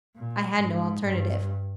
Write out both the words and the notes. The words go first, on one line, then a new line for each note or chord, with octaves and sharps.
I had no alternative.
A#2
G#2
G2